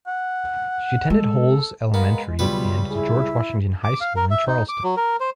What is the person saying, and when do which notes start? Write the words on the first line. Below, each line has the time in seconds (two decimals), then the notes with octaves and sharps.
She attended Holz Elementary and George Washington High School in Charleston.
0.07 F#5
1.10 G#3 A4
1.94 G#3 B3 A#4 F5 A#5
2.39 C#2 B2 F#3 G3 B3 F4 B4
2.91 E4 G#4
3.84 D6
4.01 F5
4.16 A#4
4.31 E5
4.47 D#4
4.69 D6
4.84 F#3
4.97 A#4
5.20 C5